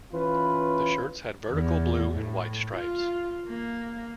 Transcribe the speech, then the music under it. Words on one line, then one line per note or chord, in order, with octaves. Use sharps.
The shirts had vertical blue and white stripes.
E3 C#4 F4 B4
E2
A2
F4
A#3